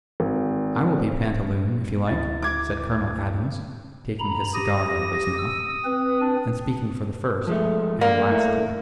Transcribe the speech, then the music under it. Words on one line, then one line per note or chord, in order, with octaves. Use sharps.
"I will be pantaloon, if you like," said Colonel Adams, taking his cigar out of his mouth, and speaking for the first and last time.
G#1
D2 E4 A6
D6 G#6
A#5 B5
G4 D#6 A#6
E6
C4 B4
D4
F3 G#3 A3
A#3 D5
A3 E4